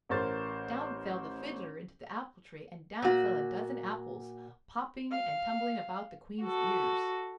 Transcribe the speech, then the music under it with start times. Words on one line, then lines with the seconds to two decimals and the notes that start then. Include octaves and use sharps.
Down fell the Fiddler into the apple-tree and down fell a dozen apples, popping and tumbling about the queen's ears.
0.09 A1 A#4 C5 A6
3.02 A#2 F#4
5.11 F5
6.43 F#4 A4